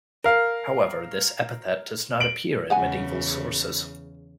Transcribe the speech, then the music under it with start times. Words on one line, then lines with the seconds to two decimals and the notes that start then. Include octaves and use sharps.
However, this epithet does not appear in medieval sources.
0.24 A#4 F5
2.20 D7 F#7
2.70 E2 C#3 G#3 F#5 G#5